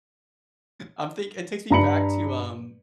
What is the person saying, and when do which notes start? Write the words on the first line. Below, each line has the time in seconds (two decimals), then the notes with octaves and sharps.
I'm think it takes me back to, um
1.71 G2 D4 A#5 B5 C#7 F#7